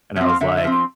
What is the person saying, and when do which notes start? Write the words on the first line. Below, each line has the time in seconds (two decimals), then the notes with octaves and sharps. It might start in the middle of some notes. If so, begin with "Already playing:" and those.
and I was like,
0.16 F3 E5
0.21 C4
0.29 F5
0.41 D3 E5
0.57 E5
0.64 F3 C4